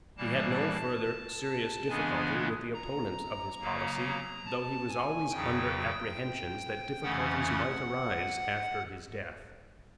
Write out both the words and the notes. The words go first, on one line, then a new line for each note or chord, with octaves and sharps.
He had no farther serious difficulty with the opponents of his policy, though he was always under apprehensions that difficulties might arise after his death.
A2 E3 G3 A#3 A5
C#3 E3 G#3 B3 D4 G#5
A#5
C#3 F#3 A#3
A5
G#5
F2 C#3 F#3 G5
F2 C#3 E3 A3 C#4 F#5